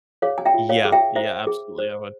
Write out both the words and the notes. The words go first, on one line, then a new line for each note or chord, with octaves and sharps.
Yeah, yeah, absolutely, I would.
G#4 C#5 F5
G#5
E5 G5
F4
C#5 F5
G#4
E5 G5
C5 E5
G#4
C5